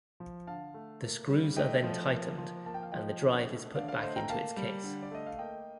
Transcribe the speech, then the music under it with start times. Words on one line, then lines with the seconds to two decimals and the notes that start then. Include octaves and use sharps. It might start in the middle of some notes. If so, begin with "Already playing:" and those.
The screws are then tightened and the drive is put back into its case.
0.20 F3
0.47 D3 F5 A5
0.74 A3
1.02 A#3
1.29 G3
1.56 A3 D#5 G5
1.84 F3
2.11 A#3
2.38 F3
2.65 A#3 A5
2.74 G5
2.83 F5
2.92 F3 D#5 G5
3.21 D3
3.47 A3
3.75 D3 D5 F5
3.88 D5 F5
4.02 A3 C5 D#5
4.16 G5 A#5
4.29 A#3 F5 A5
4.57 G3
4.84 D3
5.03 D5
5.11 A3 D#5
5.26 F5
5.39 A#3 D#5 G5